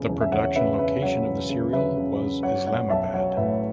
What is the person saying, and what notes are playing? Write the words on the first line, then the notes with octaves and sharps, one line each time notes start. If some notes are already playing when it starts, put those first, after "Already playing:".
The production location of the serial was Islamabad.
Already playing: E2 C#3
E1
E5
E1 C#5 F#5
C#3 B4 E5
C#3 B4 E5
F#3 C#5 F#5
E1
C#3
F#3 B4 E5
C#3
C#3
F#3 C#5 F#5
B1 C#5 F#5
B1 E5 A5
F#3 C#5 F#5
A2 B4 E5